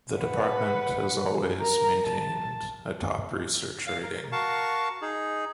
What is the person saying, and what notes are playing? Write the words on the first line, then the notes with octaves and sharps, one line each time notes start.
The department has always maintained a top research rating.
B4 F#5
A#4 A#5
A5
F5
A#4
F#4 A#4 F5 A5 C#6
D#4 G#4